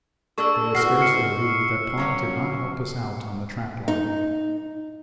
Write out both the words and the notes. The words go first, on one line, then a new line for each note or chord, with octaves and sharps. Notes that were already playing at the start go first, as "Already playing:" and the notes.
There was scarcely a week that Pont did not help us out on the trap line.
D4 G#4 A4 C#6 E6
E3 B3 F#4 E6 F6 C7
G#2 F6 C#7
F#3 C#4 F5
D#4